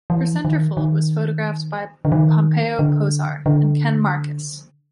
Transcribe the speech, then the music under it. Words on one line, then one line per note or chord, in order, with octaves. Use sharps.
Her centerfold was photographed by Pompeo Posar and Ken Marcus.
E3
D#3
D#3
D3
D#3
D3
D3